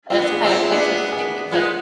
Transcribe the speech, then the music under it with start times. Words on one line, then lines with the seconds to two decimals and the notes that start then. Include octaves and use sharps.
and it's kind of interesting because
0.10 C4 F4
0.18 B3 D4
0.32 G#4
0.44 C4 E4 F4
0.52 G#4
0.71 B3 D4 G#4
1.12 G#4
1.51 G#3 B3 F4